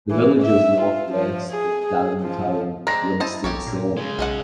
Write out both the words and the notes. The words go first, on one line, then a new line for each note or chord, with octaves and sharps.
The village is northwest of downtown Winston-Salem.
E3
E5
F4
F3
G#4
G#4
F3
G#3 C4 D4 A#5 A#6
E4 C5 D#5 A5
A#1 G4 A4 C#5
A#2
C#3 G#3
B1 G#4 D#5 F#5